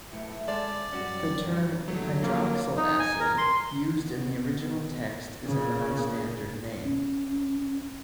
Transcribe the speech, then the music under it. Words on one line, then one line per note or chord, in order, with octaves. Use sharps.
The term "hydroxyl acid" used in the original text is a non-standard name.
B1 A2 E5
G#3 A4 C5 D5
F#2 G3 C#4 F#4
F3 F#3
G2 A#2 D3 E3 F#3 A3 B3
F3 G3 A#3
D#4
G#5
A#4
C6
B2
A#2 C#3
C#4